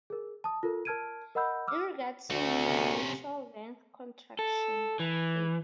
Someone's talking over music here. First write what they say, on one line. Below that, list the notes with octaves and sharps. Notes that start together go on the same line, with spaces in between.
In regards to mutual length contraction, Fig.
G#4 A#4
A5 D#6
F4 A4 A#4
A#4 A5 F6 G#6 D7 D#7
A#4 D#5 F#5 B5 E6 G6
D6 E6 F6
D2 A3 F#4
C3 C#4
A4
E3